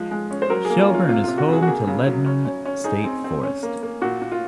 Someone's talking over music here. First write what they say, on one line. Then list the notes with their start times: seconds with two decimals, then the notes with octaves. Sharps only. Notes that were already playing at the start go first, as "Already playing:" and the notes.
Shelburne is home to Leadmine State Forest.
Already playing: F3 G#3
0.11 G#3
0.31 C#4
0.42 C5
0.50 F#3 A#4
0.65 G#4
0.70 A#3
0.79 F4
0.89 C#4
0.94 F4
1.09 C3 F4
1.24 C3 F4
1.38 F#4
1.48 C3 G#4
1.62 F#4
1.67 A#3 G#4
1.87 C#3
2.07 F#3
2.26 C#4
2.45 C#4
2.65 C#4
2.84 D#4 G#4
3.04 C4
3.24 C4
3.43 C#4
3.63 A#3
3.83 A#3
4.02 A#2 F#4
4.22 A#2
4.32 F4